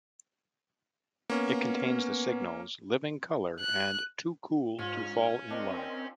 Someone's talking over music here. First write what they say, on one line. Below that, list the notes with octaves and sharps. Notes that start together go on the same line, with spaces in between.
It contains the singles "Living Color" and "Too Cool to Fall in Love".
A#3 B3 C#4
F#6
G#2 C#4 F4
C4 D4 A#4 D#5